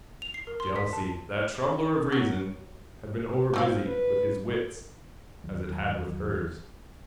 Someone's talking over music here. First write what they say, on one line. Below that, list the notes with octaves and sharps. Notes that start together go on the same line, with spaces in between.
Jealousy, that troubler of reason, had been over-busy with his wits as it had with hers.
F7
C7
A#4
C6
B6
A5
F#3
F3 C4 F5
B4
E2 D#3 F#3